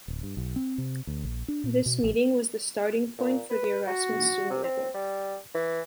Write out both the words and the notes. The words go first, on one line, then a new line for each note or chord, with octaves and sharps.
This meeting was the starting point for the Erasmus Student Network.
D1
G2
B1
C4
C3
D2
A#1
D4
A#2
B2
A1
A#2
B4
F#4
C3
C4
G3
E3